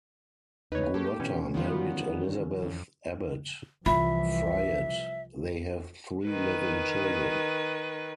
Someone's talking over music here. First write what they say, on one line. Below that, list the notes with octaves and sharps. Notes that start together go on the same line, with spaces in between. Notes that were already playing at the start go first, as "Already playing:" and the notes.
Gulotta married Elizabeth Abbott Fryatt; they have three living children.
E2 D#4 B4 C#5
A#3 G4 A4
B2 D3 E3 C#4
D#3 G3 B3 F4
F2
C2 E3 F3 F4 E5 B5
D#3 B4